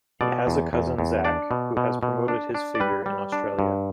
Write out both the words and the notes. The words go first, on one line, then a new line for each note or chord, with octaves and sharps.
He has a cousin, Zac, who has promoted his figure in Australia.
B2 D5
E2
E2
E2
D4 D5
B2
B2
B2
D4
D4
D5
G3 B4
G3
D4
G2